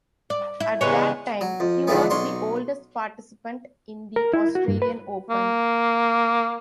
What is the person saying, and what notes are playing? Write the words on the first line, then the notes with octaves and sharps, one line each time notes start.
At the time, he was the oldest participant in the Australian Open.
D5
E4
E2 C#3 G3 G#3 B3 C#5
F#3
F2
E2 G#2 D3 F3 A3 B3
B1 C#5 C6
A#4
E4
F#4
G2
B4
A#3